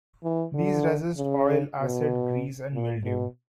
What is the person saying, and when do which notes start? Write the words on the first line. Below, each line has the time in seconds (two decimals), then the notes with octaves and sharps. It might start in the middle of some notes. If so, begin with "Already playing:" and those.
These resist oil, acid, grease and mildew.
0.24 E3
0.55 D3
1.17 C#3
1.80 B2
2.73 A#2
3.04 B2